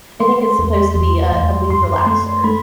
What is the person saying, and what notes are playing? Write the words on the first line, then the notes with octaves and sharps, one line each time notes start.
I think it's supposed to be a a mood relaxer.
A3 C6
E2
E2
E2
F#2 C6
A3 C6
A3 B5